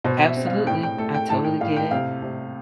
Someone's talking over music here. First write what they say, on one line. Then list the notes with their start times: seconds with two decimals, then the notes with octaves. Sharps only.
Absolutely. I totally get it.
0.04 B2 C5
0.26 E5
0.36 C4
0.47 F5
0.67 A2 G5
0.83 G5
0.98 A3 A4
1.14 G5
1.29 A2 A5
1.45 G5
1.61 A2 F5
1.77 G5
1.91 C3 F5
2.22 C3